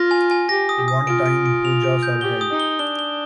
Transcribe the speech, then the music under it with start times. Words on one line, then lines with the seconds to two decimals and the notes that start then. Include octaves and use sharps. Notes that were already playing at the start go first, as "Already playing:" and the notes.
One time Pujas are held.
Already playing: F4 A#6
0.11 G#5
0.31 G#5
0.49 G4 A#6
0.69 D#6
0.88 D#6
1.07 F4 D7
1.26 D7
1.46 D7
1.65 F7
1.83 D7
2.03 G6
2.21 G4 G7
2.41 D#6
2.51 D#4
2.60 G7
2.79 D4 G7
2.99 G7